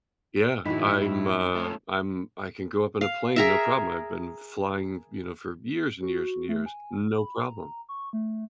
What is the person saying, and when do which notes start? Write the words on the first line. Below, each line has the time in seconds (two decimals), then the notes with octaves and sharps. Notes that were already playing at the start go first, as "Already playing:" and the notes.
Yeah. I'm, uh, I'm I can go up in a plane, no problem, I've been flying, you know, for years and years and years, no problem.
0.65 A2 D3 E3 D#4 E4 F#4 D#5 B6
1.01 F2 F3
1.55 A3 C#4 F4 A4
3.01 F5
3.36 G#4 A#4 E5
6.02 F#4
6.49 A3
6.66 G#5
7.15 B5
7.37 A#5
7.89 C#6
8.13 A3